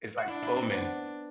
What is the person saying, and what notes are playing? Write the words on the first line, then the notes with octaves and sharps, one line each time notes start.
It's like booming.
F#4
D4 E4
E4
C4
B3 D4